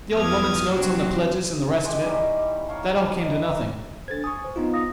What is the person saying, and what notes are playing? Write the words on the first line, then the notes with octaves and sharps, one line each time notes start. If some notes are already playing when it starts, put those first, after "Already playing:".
The old woman's notes on the pledges and the rest of it--that all came to nothing.
E2 F3 D6 D#6 F6 G#6
C3 F#3 C4 D4 F#4
G#3 G4
D#3 E3 G3 G4
A#4 C#5 F5 A5
A#4 B4 D#5
D4 A4 C5 G#6 A6
G#5 C#6 D#6
C5
B3 D#4 F4
F5 D#6 A#6